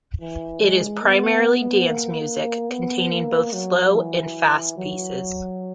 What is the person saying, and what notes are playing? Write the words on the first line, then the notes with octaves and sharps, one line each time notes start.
It is primarily dance music, containing both slow and fast pieces.
E3
G#3
B3
A#3
B3
A#3
F#3
E3
F#3